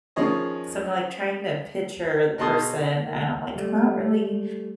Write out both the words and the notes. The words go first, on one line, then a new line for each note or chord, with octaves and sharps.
so I'm like trying to picture the person and I'm like, "I'm not really
D#3 F3 C#4 G#4 C#5 D#5
B2 F#4 G#4 A5 C6 D#6
G3 A3